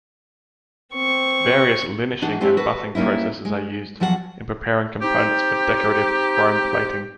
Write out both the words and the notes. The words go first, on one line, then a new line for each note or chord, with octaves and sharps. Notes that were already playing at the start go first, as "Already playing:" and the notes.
Various linishing and buffing processes are used in preparing components for decorative chrome plating.
C4 C#6
E3 D4 D#4 F#4
G#3 A3 C4 D4 E4 G4
F#4 A4 B4
G3 A#3 C#4 D#4 E4
G#3
E2 F3 F#3 F#4 C5 F#5
C4 D#4 G4